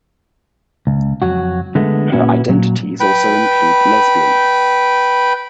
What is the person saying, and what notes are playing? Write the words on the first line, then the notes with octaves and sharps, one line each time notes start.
Her identities also include lesbian.
C#2
F2 F#3 F#4
D3 G#3 A3 B3
A#2 A#3 B3 C#4 E4 F#4
A#2 F#3
B4 G5 B5